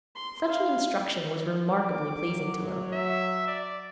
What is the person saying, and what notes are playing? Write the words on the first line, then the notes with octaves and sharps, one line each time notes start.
Such an instruction was remarkably pleasing to him.
C6
F5
D6
F#3
E5
D5